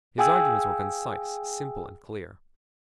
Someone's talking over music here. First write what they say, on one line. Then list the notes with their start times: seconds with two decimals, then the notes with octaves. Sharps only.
His arguments were concise, simple, and clear.
0.18 G#4 F5 G5 G#5 D#6 E6